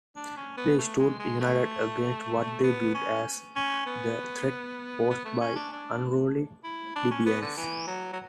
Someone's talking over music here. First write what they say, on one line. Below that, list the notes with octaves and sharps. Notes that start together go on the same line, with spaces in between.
They stood united against what they viewed as the threat posed by unruly plebeians.
D4
C#4
B3
A3
G#3
G#3
A3
B3
C#4
C#4
B3
B3
A3
C#4
D4
D4
E4
D4
C#4
B3
D3
E3
F#3
F#3